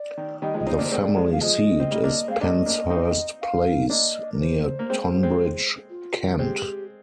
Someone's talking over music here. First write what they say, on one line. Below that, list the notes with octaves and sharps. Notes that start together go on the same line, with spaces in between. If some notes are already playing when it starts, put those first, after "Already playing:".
The family seat is Penshurst Place, near Tonbridge, Kent.
Already playing: D5
D#3
D#3 G3 D#5
F3 G#3
D#5
C4 D#4
D5
A#3 D4
C5
G#3 C4 D5
F3 G#3
F5
F3 G#3 D#5
C4
G3 A#3
A#3 D4
G#3 C4 F5
A#3 D4 D#5
A#3 D4
C4 D#4
F5
A#3 D4 D#5
A#4
C5
A#3
G#3 C4
G#3 C4
F4
G#3 C4 G4